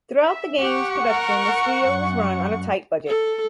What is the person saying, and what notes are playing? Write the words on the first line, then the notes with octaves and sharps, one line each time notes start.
Throughout the game's production, the studio was run on a tight budget.
E5
G4 F#5 C#6
A#4
F#2
A4